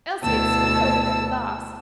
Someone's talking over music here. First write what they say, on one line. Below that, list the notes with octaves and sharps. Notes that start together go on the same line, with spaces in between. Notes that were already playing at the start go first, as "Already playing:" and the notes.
Elsie exploded at last.
D2 B2 E4 A5 E6